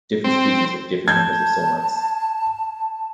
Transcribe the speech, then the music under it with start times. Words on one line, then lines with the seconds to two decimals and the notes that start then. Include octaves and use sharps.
Different species have different numbers of somites.
0.24 C4
1.08 A5 G6 G#6